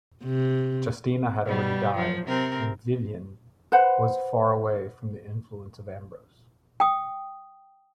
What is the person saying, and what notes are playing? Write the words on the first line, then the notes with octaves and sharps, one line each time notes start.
Justina had already died, and Vienne was far away from the influence of Ambrose.
C3
B2 G3
F3 F#3
C3 C4 A#4
B4 C5 F#5
G5 D#6